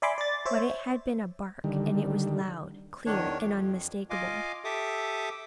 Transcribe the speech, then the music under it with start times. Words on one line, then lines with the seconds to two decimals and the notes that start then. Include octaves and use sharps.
But it had been a bark and it was loud, clear, and unmistakable.
0.02 D5 E5 G#5 B5 C6 D6
0.18 D5 A6
0.46 C5 C#5 E5
1.64 D3 D#3 G3
3.06 E2 D#3 D4 C#5
3.42 F2
4.10 F4 D#5 F5 G#5 D6
4.65 G4 A4 E5 D6 D#6